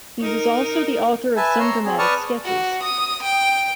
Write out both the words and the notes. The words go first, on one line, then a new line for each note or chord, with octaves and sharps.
He was also the author of some dramatic sketches.
D#4 A#4
B4 E5 G#5 A5
C#5 A#5 C6 E6
C4 G#4
B4 D5 A5 C#6 D#6 F6
F#4
D#6
G5